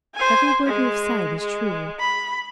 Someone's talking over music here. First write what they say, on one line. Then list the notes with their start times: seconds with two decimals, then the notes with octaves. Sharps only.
Every word you have said is true.
0.15 C5 G#5
0.66 G#3
1.40 G#3
1.99 B5